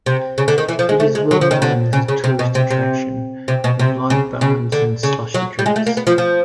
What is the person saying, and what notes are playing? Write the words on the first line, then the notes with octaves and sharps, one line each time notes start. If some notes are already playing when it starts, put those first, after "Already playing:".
It is well known as a tourist attraction, with live bands and slushy drinks.
C3
C#3
D3
D#3
E3
F3
G#3
A3
G#3
F#3
F3
D#3
D3
C#3
C#3
C3
B2
C3
C3
C3
B2
C3
C#3
C#3
D3
C#3
F#3
G3
G#3
A3
A#3
B3
F3
F3